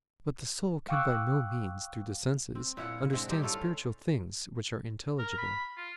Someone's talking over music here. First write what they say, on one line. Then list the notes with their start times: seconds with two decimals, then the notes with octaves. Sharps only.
But the soul can by no means, through the senses, understand spiritual things, which are intelligible.
0.89 F5 G5 C#6 D6 E6 F#6
2.55 C4
2.77 A#2 E4 F#5
3.13 D3 G#3 C4
3.28 G3 C4 D#4 G4
3.41 C#4 E4 F4 A4
3.55 F5
5.19 A#4
5.38 B5
5.77 F4